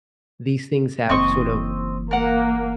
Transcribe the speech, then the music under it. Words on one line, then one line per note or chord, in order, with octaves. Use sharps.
These things have sort of,
F#1 E3 C4 D#5 C#6
A#3 A#4 F#5